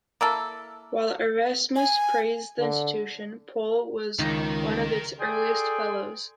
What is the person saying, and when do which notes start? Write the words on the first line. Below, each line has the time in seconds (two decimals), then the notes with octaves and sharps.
While Erasmus praised the institution, Pole was one of its earliest fellows.
0.21 A#3 E4 A4
1.76 G#5
2.59 D3
4.19 C#2 D#3 A#4 G5
5.19 G#4 A4 D5 G5 G#5 C6